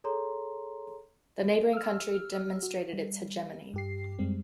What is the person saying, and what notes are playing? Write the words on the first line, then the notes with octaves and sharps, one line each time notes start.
The neighbouring country demonstrated its hegemony.
G#4 A4 C#5 A#5 C6
E6 F6
F#4
G3
G2 G4 C7
F#2 G3 G#3 C4